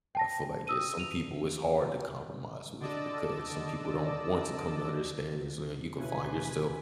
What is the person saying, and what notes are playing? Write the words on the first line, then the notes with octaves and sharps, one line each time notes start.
I feel like, yeah, some people, it's hard to compromise with because some people don't want to come to understanding. So, then you could find yourself
G5 A5 A#6
D#6 E6 D#7
D#7 F7
D3 D5 D#5 A5 D6 E6
B2 A#3 C#4 E4 B4 G#5